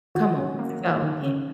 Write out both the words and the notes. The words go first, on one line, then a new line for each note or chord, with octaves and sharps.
come on, so, yeah.
D#3 F#4
C#4
A#3
F#3
D#3
C#4